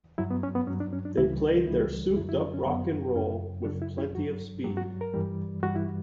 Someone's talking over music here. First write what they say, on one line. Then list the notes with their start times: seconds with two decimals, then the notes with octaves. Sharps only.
They played their souped up rock and roll with plenty of speed.
0.18 G2 F#3 E4
0.31 B3
0.43 C#4
0.55 B3
0.67 G2 F#3 C#4
0.80 D4
0.93 C#4
1.05 D4
1.17 C#2 C#3 E3 G3 E4
1.67 C#2 C#3 E3 G3 E4
2.16 F#2 D3 F#3 E4
2.29 E4
2.41 D4
2.54 C#4
2.66 F#2 D3 F#3 B3
3.15 F#2 C#3 F#3 C#4
3.65 F#2 C#3 F#3 D4
3.82 E4
3.98 E4
4.15 G2 F#3 F#4
4.64 G2 F#3 G4
4.77 F#4
5.01 A#4
5.14 G2 E3 G3
5.63 G2 E3 G3 F#4
5.76 E4